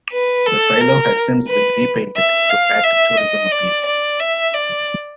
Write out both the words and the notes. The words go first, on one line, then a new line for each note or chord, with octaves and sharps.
The silo has since been repainted to add to tourism appeal.
B4
A4
A#4
B4
E5
F5
E5
D#5
D5
D5
E5
D5